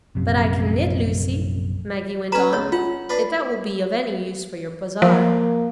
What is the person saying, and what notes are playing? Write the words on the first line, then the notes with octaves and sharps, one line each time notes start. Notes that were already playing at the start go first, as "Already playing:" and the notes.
"But I can knit, Lucy," Maggie went on, "if that will be of any use for your bazaar."
A#1 F#2 C3
C#4 B4 A#5
C#2 C#5 E6
F4 F#5
D4 B4
F3 A#3